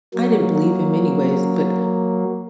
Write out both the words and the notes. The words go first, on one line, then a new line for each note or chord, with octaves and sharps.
"I didn't believe him anyways, but
F#3 A#3